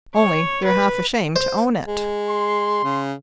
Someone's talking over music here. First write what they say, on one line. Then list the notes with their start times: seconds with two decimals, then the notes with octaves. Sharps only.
Only they're half ashamed to own it.
0.15 C#5
0.65 B4
1.36 C5
1.87 G#3
2.30 C6
2.84 C#3